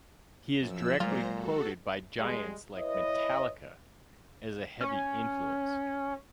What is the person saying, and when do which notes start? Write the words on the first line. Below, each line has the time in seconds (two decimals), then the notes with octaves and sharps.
He is directly quoted by giants like Metallica as a heavy influence.
0.62 F#2 F3 E6
1.00 A#2 F#3 G#3 F4 C5 A#5
1.32 F#4 A4
2.19 G3 G#3
2.77 E4 B4 C#5 D#5
4.80 C#4